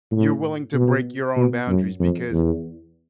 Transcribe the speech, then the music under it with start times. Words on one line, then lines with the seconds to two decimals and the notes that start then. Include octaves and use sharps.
you're willing to break your own boundaries because
0.12 A2
0.74 B2
1.37 B2
1.68 F#2
2.00 F2
2.32 E2